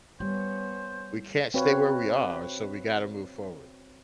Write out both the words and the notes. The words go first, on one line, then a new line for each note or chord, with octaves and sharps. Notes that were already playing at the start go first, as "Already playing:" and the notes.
We can't stay where we are, so we gotta move forward.
G3 B3 C#4 C5
C4 F#4 B4 C#5 F5